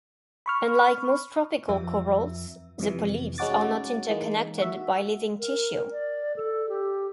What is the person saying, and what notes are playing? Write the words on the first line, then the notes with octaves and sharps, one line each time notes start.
Unlike most tropical corals, the polyps are not interconnected by living tissue.
B5 C#6 F6
F2 F3 E5 E6
F2 C3 E3
G#3 C#4 D#4 F#4 D6 A6
E3 G#3 A#3 D#4
F#4 E5
A#4
D5
A4
G4